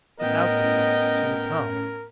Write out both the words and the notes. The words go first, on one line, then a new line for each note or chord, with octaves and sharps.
But outwardly she was calm.
A2 B3 C#4 A#4 D#5 G5